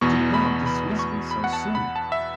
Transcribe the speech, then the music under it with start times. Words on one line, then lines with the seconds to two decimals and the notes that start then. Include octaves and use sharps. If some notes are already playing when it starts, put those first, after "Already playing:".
Do not dismiss me so soon!
0.01 E2 B2 B3 C#6
0.34 B5
0.66 B5
0.99 C#6
1.31 B5
1.44 F#5
1.53 A5
1.75 B5
1.96 A5
2.12 E5